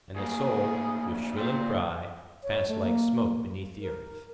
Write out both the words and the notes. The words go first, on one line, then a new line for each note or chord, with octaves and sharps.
'And the soul, with shrilling cry, passed like smoke beneath the earth.'
D2 A#3 G#4
A#2 C4
C#5
A3
A#3
A#4